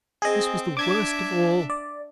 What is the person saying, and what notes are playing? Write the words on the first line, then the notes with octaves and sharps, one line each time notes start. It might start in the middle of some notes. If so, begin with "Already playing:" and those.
This was the worst of all!
C4 G#4 D#5
D4 E5 D6 G#6
D5